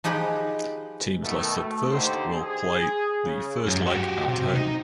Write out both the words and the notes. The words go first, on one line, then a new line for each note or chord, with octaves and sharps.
Teams listed first will play the first leg at home.
F3 D#4 G4 G#4 B4
B2 D#3 A3
A3
D#2 D3 D#4 G4 A4 C5
G#4
C#3
F#2
F#4 G4
C3
D#4